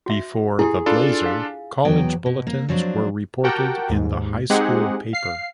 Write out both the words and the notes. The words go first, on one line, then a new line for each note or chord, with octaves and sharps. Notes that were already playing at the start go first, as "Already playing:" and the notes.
Before "The Blazer", college bulletins were reported in the high school paper.
F#4 E5
E4 G4 G#4
D4 F4 A4 B5
F5
E2 F#3 B3 G5
B2
A#3
F3 F#3 C4 D4
F#4 G4 A#4 F#5 G5 A5
D#2 G#2
G#3 C4 D#4 G4 G#4 F#5
F5 C7